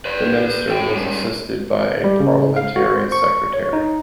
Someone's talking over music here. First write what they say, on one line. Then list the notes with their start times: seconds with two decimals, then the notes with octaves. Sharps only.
The Minister was assisted by a Parliamentary Secretary.
0.05 B4 D5
0.69 A3 G5
0.95 G3 C#4
2.04 G3
2.20 C#3
2.56 F5
2.76 F#4
2.96 C5
3.12 C#6
3.54 C#5
3.73 D#4